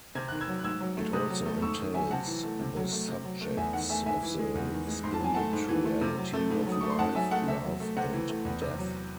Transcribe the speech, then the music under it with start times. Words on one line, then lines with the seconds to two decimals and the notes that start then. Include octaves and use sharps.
It also entails the subjects of the spirituality of life, love and death.
0.15 C3 G#6
0.28 D#3 F#6
0.41 E6 G#6
0.48 F#3
0.59 F#6
0.64 G#2 E6 G#6
0.81 F#3
0.97 A3
1.13 C3 D#6 F#6
1.30 F#3
1.45 A3
1.62 G#2 C#6 E6
1.78 D#3
1.94 F#3 E5 G#5
2.11 C3 F#5 A5
2.27 E3
2.43 A3
2.59 C3
2.76 F#3
2.92 A3
3.08 C3
3.24 F#3
3.41 A3
3.57 E2 E5 G#5
3.73 D#3 F#5
3.89 A3 E5 G#5
4.06 G#2 E5 G#5
4.23 E3
4.39 G#3
4.55 E2
4.72 D#3
4.87 G#3
5.04 G#2 C6
5.14 A5
5.20 F#3 G#5
5.34 A3 F#5 A5
5.53 G#2
5.68 E3
5.85 A3
6.01 C3
6.17 F#3
6.34 A3
6.50 G#2
6.67 F#3
6.72 D#6
6.81 A3 C#6
6.90 C6
6.99 G#2 F#5 A5
7.15 F#3 E5 G#5
7.31 A3 F#5
7.48 C3 E5
7.64 F#3
7.80 A3
7.96 C3 F#5
8.13 E3
8.29 A3
8.45 E2
8.62 C3
8.78 F#3